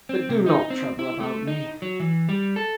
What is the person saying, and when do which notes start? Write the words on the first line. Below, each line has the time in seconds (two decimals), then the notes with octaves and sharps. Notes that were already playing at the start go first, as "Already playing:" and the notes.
But do not trouble about me.
0.09 C4
0.29 C3
0.46 D#4
0.70 C4
0.99 E4
1.20 A3
1.47 D#4
1.82 F#3
2.00 E3
2.29 G3
2.56 A4